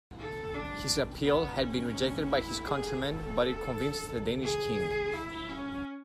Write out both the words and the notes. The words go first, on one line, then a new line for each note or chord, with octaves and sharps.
His appeal had been rejected by his countrymen, but it convinced the Danish King.
A4
D4
B3
C#4
E4
G#4
A4
G#4
E4
C#4